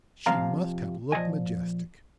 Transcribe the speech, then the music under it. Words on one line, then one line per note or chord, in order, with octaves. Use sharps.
She must have looked majestic.
F2 C3 F3 F5 A#5
C2 A#2 F3 D#5 G#5